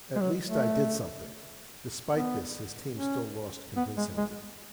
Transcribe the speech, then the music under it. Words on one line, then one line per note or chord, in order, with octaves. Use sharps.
At least I did something.' Despite this his team still lost convincingly.
G#3
F#3
A3
B3
C#4
B3
G#3
G#3